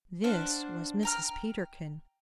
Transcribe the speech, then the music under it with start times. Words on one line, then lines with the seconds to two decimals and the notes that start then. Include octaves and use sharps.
THIS was Mrs. Peterkin.
0.24 D4 C5 F5 F#5
1.03 G5 A#5 F6